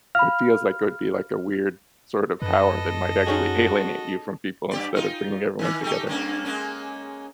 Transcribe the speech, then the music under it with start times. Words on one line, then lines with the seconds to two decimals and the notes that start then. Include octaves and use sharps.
it feels like it would be, like, a weird sort of power that might actually alienate you from people instead of bringing everyone together.
0.15 F5 B5 F6
2.42 F#2 A4 B4 D#5
3.26 G#3 C#4 D#4 F#4
4.71 G2 G4 D5
4.95 D#4 F4
5.59 D#3 E3
5.82 A3 D#4 G4
6.07 G2 A#3 C#4
6.45 G#3 A#3 C#4